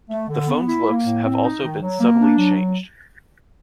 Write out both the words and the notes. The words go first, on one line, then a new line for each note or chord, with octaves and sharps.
The phone's looks have also been subtly changed.
A3
D3
B3
E4
A#3
A2
C4
D#4
D#3
F#3
A#3
D4
F#3